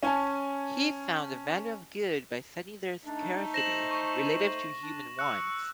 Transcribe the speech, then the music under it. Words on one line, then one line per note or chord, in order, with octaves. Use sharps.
He found the value of goods by setting their scarcity relative to human wants.
C#4 G#5 A5
A3 D4 D#4
C5 A#6 E7 F#7
C#6
D4
C#6 E6 F#6